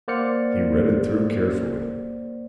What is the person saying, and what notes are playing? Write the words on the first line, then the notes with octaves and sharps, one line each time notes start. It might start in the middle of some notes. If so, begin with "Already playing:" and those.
He read it through carefully.
A#3 C5 D5 F#5 F6 C#7